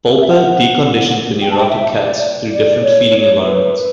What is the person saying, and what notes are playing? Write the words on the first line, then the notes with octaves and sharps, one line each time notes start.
Wolpe deconditioned the neurotic cats through different feeding environments.
E5
F#5
G5
A5
G5
E5
D5
D5
C#5
C#5
B4